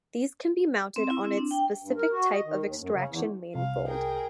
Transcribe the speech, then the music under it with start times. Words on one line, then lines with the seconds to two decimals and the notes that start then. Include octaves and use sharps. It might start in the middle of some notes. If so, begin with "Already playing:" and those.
These can be mounted on its specific type of extraction manifold.
0.96 C4
1.10 E4
1.25 C4
1.37 D4
1.51 G5
1.82 G2
1.96 A#4
2.12 F#4
2.31 D#5
2.45 D#3
2.63 D#2
2.80 F#2
2.94 C#3
3.09 E2
3.55 C2 F5
3.86 G#4 A#4 G5